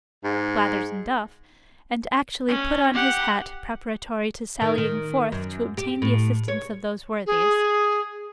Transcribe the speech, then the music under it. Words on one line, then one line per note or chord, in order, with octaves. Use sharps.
Blathers and Duff; and actually put on his hat preparatory to sallying forth to obtain the assistance of those worthies.
G#2
C#4
G4 F#5
D#3
D#3
F#2
G4
A2
C#5
G#4